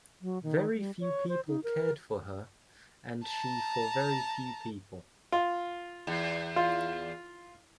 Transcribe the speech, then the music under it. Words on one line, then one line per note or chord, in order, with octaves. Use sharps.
Very few people cared for her, and she for very few people.
F#3
D#3
G3
C#5
C5
D#4
A#4
A5 A#5
F4
E2
F4